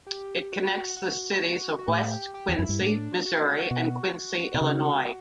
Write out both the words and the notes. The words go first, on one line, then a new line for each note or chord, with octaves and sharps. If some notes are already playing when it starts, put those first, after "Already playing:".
It connects the cities of West Quincy, Missouri and Quincy, Illinois.
G4
F#4
F#4
F#4
A2 G4
G4
G4
E2
F#2 E4
G2
A2 D4
F#4
B2 F#4
B2
C#3